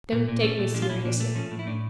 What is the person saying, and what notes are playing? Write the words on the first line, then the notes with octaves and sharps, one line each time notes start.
Don't take me seriously.
A#2
A#2
A3 C#4
A#2
F3 D4
F4
A#2 E4
A#2 D4
A3
F3 C#4
A2
E4
A2 D4